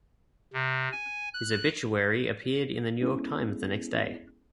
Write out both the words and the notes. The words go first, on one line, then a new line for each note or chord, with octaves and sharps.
His obituary appeared in the New York Times the next day.
C3
G#5
F#6
G#3 B3 C#4 E4 G#4 A4